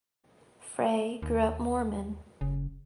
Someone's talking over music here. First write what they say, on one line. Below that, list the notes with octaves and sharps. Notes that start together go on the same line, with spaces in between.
Frey grew up Mormon.
D#2
F#1 C#3